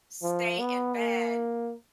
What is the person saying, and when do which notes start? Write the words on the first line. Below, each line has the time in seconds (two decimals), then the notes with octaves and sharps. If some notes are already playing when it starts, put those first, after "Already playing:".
stay in bed,
0.23 F3
0.59 B3
0.97 A#3